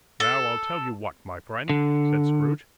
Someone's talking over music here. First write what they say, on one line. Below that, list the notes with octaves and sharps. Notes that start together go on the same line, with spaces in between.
'Now, I'll tell you what, my friend,' said Scrooge.
A4
D3